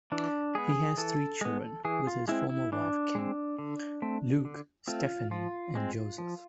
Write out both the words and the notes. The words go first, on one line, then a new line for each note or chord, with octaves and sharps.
He has three children with his former wife Kim; Luke, Stephanie and Joseph.
E3 D4
G#3 B3 G#4
E3 A4
G#3 B3
E3 G#4
F4
G#3 C4 E4
E4
E3 D4
G#3 C4
D3
A3 C4
D3
A3 C4 F4
F3 F4
G#3 C4
F3